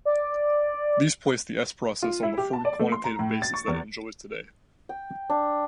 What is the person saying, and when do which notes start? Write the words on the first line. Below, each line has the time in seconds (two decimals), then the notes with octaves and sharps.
These placed the s-process on the firm quantitative basis that it enjoys today.
0.05 D5
2.02 F4
2.23 E4
2.38 G4
2.53 A5
2.65 D5
2.79 A3
2.92 C6
3.04 A#5
3.19 A2
3.42 A6
3.54 C#6
3.68 E2
4.89 G5
5.30 D4